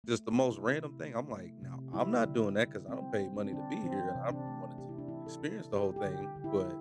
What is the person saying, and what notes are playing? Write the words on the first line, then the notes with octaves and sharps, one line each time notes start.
just the most random thing. I'm like, "No, I'm not doing that 'cause I don't pay money to be here and I wanted to experience the whole thing, but,
A3
C3
E4
C3
A3
A3
C3
G3 E4
D3
D3
G3 C4
G3
D4
C4
D3 D4
E3 C4
C3
D4
A3
C3 G4
E4
D4
E3 E4
A4
C3
G3 G4
G4
D3
G4
D3
E4